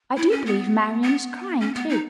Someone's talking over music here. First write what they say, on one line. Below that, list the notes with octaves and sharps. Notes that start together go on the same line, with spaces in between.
I do believe Marian is crying, too.
E4
C#4
B3
B3
C#4
B3
D#4